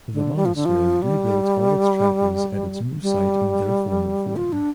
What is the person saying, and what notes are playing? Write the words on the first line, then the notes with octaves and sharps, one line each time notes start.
The monastery rebuilt all its chapels at its new site in their former form.
D3
G3
F3
D3
F3
G3
G3
F4
D4